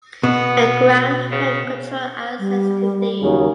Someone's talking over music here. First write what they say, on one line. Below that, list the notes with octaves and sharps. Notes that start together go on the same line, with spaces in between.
A ground frame controlled access to these.
B2 B3
C#3
G3
D#2 C#3 F#3